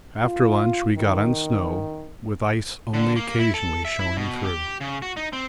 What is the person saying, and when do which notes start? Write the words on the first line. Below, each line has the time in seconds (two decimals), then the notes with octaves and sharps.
After lunch we got on snow, with ice only occasionally showing through.
0.22 F4
0.97 D#3
2.94 D3
3.16 A#3
3.39 E4
3.54 A4
3.85 E5
3.99 E4
4.17 B2
4.45 G4
4.81 C#3
5.02 F#4
5.17 D#4
5.33 C4